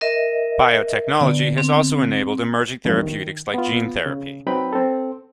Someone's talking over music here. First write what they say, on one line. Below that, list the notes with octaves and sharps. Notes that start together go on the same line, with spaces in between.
Biotechnology has also enabled emerging therapeutics like gene therapy.
A#4 D#5 E5
D3 B3 D5
C4
E2 G2 F3
D#3
B3 F4
C#3
F#3 C4 D#4 B4 G5 B5
C4 A4